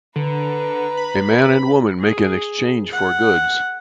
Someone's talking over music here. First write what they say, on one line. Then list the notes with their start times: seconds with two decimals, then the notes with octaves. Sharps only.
A man and woman make an exchange for goods.
0.16 D3 B4 A#5
0.97 B5
1.99 G#4
2.92 F#5